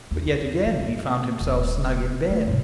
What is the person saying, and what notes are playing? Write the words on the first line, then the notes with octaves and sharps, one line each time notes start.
But yet again he found himself snug in bed.
E2
D#3
D#1
A3
G#2 C3